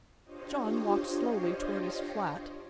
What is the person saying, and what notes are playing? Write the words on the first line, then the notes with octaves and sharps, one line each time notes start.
John walked slowly toward his flat.
D4 F4 G4 C5 C#5 D#5